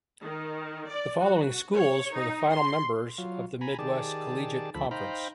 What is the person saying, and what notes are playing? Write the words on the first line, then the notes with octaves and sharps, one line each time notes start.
The following schools were the final members of the Midwest Collegiate Conference.
D#3
D5
F#4
C#5
D#4
C6
F#3 F4
G#5 A#5 B5
D#3 G4 G#4 D5 A5
D2 F3 A4 B5
D#4 C5 F5 G5 A#5 B5